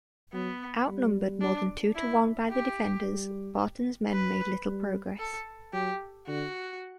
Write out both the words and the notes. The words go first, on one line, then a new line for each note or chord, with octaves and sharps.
Outnumbered more than two-to-one by the defenders, Barton's men made little progress.
F#3 B3
G3
D4
E4
G4
G3
B4
G3
A4
F#3 G4
D3 F#4